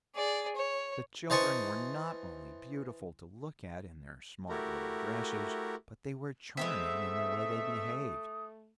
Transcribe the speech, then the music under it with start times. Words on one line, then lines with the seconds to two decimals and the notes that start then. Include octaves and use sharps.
The children were not only beautiful to look at in their smart little dresses, but they were charming in the way they behaved.
0.15 G#4 D5
0.56 C#5
1.30 E3 C5 D#5 A5 C#6
4.49 A3 E4 F#4 G4 A#4
6.57 G#3 A3 B3 C4 E5 D#6